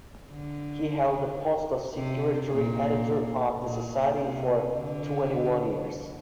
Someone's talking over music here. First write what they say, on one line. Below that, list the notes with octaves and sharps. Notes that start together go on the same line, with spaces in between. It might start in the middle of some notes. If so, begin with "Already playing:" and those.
He held the post of secretary-editor of the society for twenty-one years.
D3
C3
A#2
A#2
C3
D3